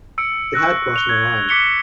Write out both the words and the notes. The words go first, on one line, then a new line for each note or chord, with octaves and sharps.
It had crossed my mind.
E6 C#7 D7
C#6 E6 F#6 A#6
C#6 F7 G7
E6 G#6
D6 B6 C#7 F7 G7